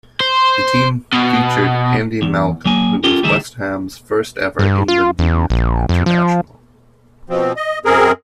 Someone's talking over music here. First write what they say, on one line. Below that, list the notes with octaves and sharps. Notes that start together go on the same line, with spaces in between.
The team featured Andy Malcolm who was West Ham's first ever England Youth International.
C5
B2
E2
F#3 A#3 G#5
C#4 F4 G4 A4 A#4
D2 E3 G3 D#4 G#4 E5
G2
F4
E2
A#1
F2
F3
B2 F3 C4
D#5
F#2 C4 G#4 A#4